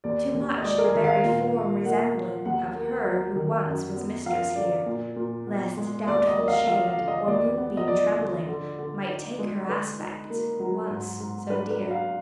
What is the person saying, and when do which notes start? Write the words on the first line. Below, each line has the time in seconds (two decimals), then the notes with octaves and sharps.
Too much the buried form resembling, Of her who once was mistress here; Lest doubtful shade, or moonbeam trembling, Might take her aspect, once so dear.
0.04 D#2 D5
0.34 D#2
0.58 D#5
0.64 G#3 D5
0.78 A#4
0.84 G#4
0.94 D#3
1.04 F5
1.24 A#2
1.55 A#2
1.85 A#3 F#5
2.15 F3
2.45 D#2 F#5
2.75 A#3
3.05 F#3
3.36 D#3
3.66 F#2
3.96 B3
4.26 F3 F5
4.56 D3 D5
4.86 A#2
5.16 A#2
5.47 B3
5.77 G#3
6.07 D#2 D5
6.27 D#5
6.37 A#3
6.48 F5
6.67 F3 F5
6.88 F5
6.98 D3
7.08 D#5
7.27 D#2 D5
7.58 B3
7.77 D#5
7.88 F3 D5
8.18 D3
8.49 D3
8.79 D3
9.09 D#4
9.39 G#3
9.69 D3 B4
9.99 D#4
10.30 A#3
10.59 F#3
10.90 G#2
11.20 G#2
11.50 D4 B4
11.71 B4
11.80 F#3
11.91 F5